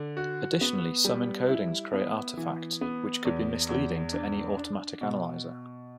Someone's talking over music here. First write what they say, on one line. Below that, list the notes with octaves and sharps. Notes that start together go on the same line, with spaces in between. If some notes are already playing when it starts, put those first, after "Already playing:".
Additionally some encodings create artifacts which could be misleading to any automatic analyser.
Already playing: D3
F#4
B3
G3
E4
B3
E3
B3
E2
E2
D4
D4
B2